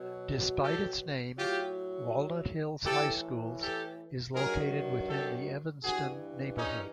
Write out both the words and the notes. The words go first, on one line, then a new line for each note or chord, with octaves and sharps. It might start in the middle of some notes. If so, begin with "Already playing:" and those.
Despite its name, Walnut Hills High Schools is located within the Evanston neighborhood.
Already playing: B2 F#3
G4 A4
A2 F#3 F4 G4
A2 E3 G4 A4
G4 A4
G2 D#3 F#3 G#4 A#4
G4 A4
G2 E3 F#4 G#4
C#4 D#4